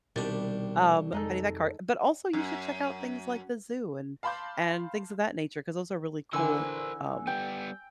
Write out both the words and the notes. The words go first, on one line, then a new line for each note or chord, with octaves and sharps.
um, Pennypack car but also you should check out things like the zoo and and things of that nature 'cause those are really cool, um,
C2 B2 D#3 G3 D4
F2 G#3 D#4 A4
F#2
F5 A5 B5 C6 D6 G6
D3 E3 A#4 C5 G#5 E6
G3 B3 G5